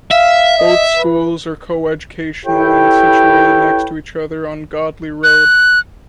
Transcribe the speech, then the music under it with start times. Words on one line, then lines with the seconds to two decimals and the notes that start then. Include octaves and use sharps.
Both schools are coeducational, and situated next to each other on Godley Road.
0.11 E5 F5
0.59 D#5
0.97 B4
2.46 E4 G4 A4 B4 C#5 G5
5.23 F#6